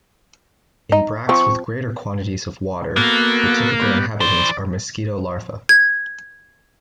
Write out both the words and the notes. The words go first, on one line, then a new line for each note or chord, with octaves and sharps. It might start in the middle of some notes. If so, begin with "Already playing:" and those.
In bracts with greater quantities of water the typical inhabitants are mosquito larva.
D#4
F3 C4 C#6
A#3 B3 F#4 A4
G3 B3
E3 C5 D5
G#6